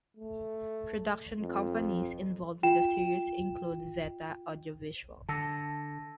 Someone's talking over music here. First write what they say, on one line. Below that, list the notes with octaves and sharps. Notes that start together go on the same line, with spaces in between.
Production companies involved with the series include Zeta Audiovisual.
A3
F2
F4 G5 E7
D3 A5 E6 A#6